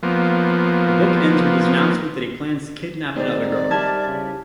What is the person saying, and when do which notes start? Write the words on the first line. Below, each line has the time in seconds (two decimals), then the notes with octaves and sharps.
The book ends with his announcement that he plans to kidnap another girl.
0.03 F3 A#3 B3
3.16 D#3 G#3 C4 D5
3.71 G3 E4 A5 F6 G#6
4.05 C#3